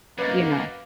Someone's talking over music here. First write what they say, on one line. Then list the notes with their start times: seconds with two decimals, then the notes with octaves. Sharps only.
you know,
0.18 F#2 A#3 B4 D#5 F5 A6